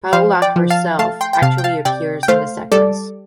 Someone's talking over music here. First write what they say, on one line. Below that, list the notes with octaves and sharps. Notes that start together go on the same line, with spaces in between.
Paula herself actually appears in the sequence.
F3 C5 F5
D5 G5
F3
F5 A5
A3 F5 A5
G5 C6
G5
C3 F5 A5
G5
F5 A5
C3 D5 G5
G5
A3 C5 F5
G3 A4 D5